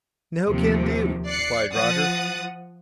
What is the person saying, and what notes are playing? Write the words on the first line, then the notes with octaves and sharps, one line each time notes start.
"No can do," replied Roger.
D#2 C3 F3
D5 F#6 C7 C#7
F3 F#5 D#6 F#6 A6